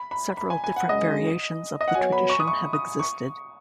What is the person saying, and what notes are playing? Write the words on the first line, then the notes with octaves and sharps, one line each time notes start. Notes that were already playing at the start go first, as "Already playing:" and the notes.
Several different variations of the tradition have existed.
Already playing: B5
B5
B5
G#5
G#5
F#5
F#2 C#3 G#3 D#5
D#5
F#5
F#3 B3 F#4 C#5 G#5
B5
C#6
D#6
C#6
D#6
C#6